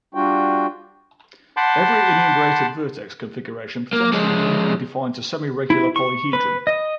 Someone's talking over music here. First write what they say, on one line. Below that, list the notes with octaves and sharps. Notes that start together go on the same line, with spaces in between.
Every enumerated vertex configuration potentially uniquely defines a semiregular polyhedron.
G3 D4 F4 F#4 G5
F#5 A5 B5 C6 D6 G6
A#3
F3 G#3
E4
C#6
B4
D#5